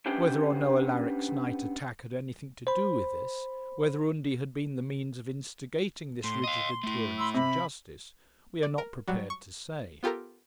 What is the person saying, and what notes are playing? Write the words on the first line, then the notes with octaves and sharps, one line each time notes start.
Whether or no Alaric's night attack had anything to do with this, whether Undy had been the means of instigating this rigid adherence to justice, we are not prepared to say.
B3 C#4 D4 G4 C5 G5
C5 B5
A2 C6
D#5 F5
A3 E4
B5 C6 E6
C3 B5
D5
A#4
F#3 G3 F#4
C#6
B3 F4 G4 A4 A#4